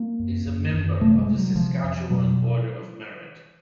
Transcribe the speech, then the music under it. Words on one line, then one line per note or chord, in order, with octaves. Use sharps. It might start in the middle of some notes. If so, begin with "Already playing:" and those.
He is a member of the Saskatchewan Order of Merit.
Already playing: A#3
F#2
F#2
F#2
C3 A3
G#3
C3
F#3
C3 F3
F2
B2 F#3